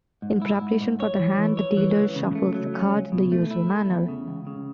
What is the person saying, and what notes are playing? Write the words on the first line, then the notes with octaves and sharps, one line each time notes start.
In preparation for the hand the dealer shuffles the cards in the usual manner.
G#2
E4
G#2
G#2
C#5
E3
E3
C#5
E3
C#2
C#3
A3
F#3
C#4
C#2
B2
A3
E4
A3
E2
C#3
C#2
C#3